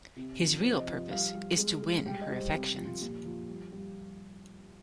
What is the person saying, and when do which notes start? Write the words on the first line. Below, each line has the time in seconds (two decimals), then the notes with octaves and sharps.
His real purpose is to win her affections.
0.16 C3
0.40 F3
0.63 C3 C5
0.80 D#5
0.88 F3
1.11 G3 F5
1.35 G3
1.58 G#3
1.82 G#3
2.06 G3 G5
2.21 D#5
2.30 G3
2.38 C5
2.54 C3 G4
2.77 F3
2.85 F4
3.01 A#2 G4
3.25 F3
3.49 G3
3.72 G3